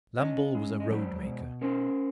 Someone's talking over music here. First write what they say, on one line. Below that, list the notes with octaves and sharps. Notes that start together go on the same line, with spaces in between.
Lambole was a roadmaker.
C#4 C#5 D#5
G#3
D#5
F#3 C5 D5
B2
C#4 A#4 C5